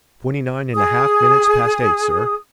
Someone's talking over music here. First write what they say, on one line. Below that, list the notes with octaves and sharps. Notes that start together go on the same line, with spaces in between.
"Twenty-nine and a half minutes past eight, sir."
G#4 D#6